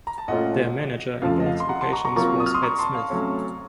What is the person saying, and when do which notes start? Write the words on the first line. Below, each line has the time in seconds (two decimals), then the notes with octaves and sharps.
Their manager in both locations was Ed Smith.
0.07 A#5
0.18 A5
0.28 A#2 A3 C#4 F4 D#5 F#5
1.22 F2 C#3 F3 A3 F5 A5
1.40 D#5
1.46 F5
1.60 C6
1.69 F#5 A#5
1.81 A5 C6
1.93 A#5 C#6
2.05 A#5 C#6
2.16 C3 F#3 A#3 F4 A#5 C#6
2.40 D#6
2.46 F6
2.54 C6 D#6
2.63 A#5 C#6
2.79 A5 C6
2.94 F5
3.10 C3 F#3 A3 C#4